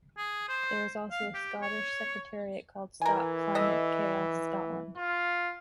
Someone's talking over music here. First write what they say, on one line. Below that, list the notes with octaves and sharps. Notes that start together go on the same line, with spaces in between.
There is also a Scottish secretariat called Stop Climate Chaos Scotland.
G#4
C5
F5
G4
C#5
E3 A#4 G#5
A4 D#5 E5
F4